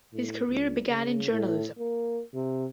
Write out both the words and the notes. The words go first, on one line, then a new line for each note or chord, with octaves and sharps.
His career began in journalism.
A2
C#2
C#3
A2
A#3
C3